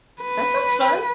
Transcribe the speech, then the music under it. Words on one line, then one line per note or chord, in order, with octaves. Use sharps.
That sounds fun.
B4